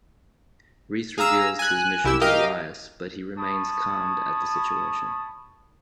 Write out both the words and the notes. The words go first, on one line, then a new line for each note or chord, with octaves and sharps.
Reese reveals his mission to Elias but he remains calmed at the situation.
G#4 F5 A#5 E6
G#5 F#6
C2 E4 G4 E6
G4 A#4 D#5 F5 G5
C#5 A5 B5 C#6 D#6